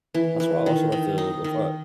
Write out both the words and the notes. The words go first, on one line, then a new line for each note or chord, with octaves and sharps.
That's why I also like to to fi
E3
E3
D#3
D#3
D#4
D#3